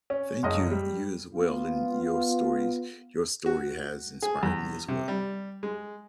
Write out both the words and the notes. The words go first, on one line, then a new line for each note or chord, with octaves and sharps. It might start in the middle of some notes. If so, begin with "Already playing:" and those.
Thank you, you as well, and your stories. Your story has inspired me as well.
C#4
F#1 C#2 F#2 D#5
G3
B3 F4
F#4
G#4
E2
C3
G3
G#3